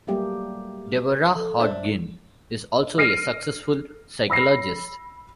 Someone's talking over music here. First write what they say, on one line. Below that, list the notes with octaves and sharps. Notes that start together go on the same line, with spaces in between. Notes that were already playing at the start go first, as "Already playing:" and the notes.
Deborah Hodgkin is also a successful psychologist.
F#3 G3 A3 A#3 G4 G#4
A4
D4 C5 E5
D#4
F6 A#6 C7 D7 D#7
B5 E6 A#6 C7